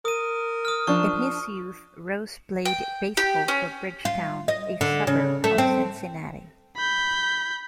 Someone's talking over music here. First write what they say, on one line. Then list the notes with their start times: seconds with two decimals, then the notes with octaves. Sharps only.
In his youth, Rose played baseball for Bridgetown, a suburb of Cincinnati.
0.05 A#4 D#6 D#7
0.65 D#6 F6
0.87 F3 D4 C#6
2.65 G5
3.17 G4
3.48 C#4
4.05 F4
4.48 D#5
4.81 D3
5.07 C#3
5.44 A3
5.58 C4
6.77 B5 G6